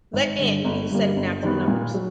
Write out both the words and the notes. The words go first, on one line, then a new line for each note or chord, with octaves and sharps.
Let N be the set of natural numbers.
G#1
G2 D3
G1
G2 D3 G3 A#3
G1
F#2 D#3 G3 B3
A#2
F#3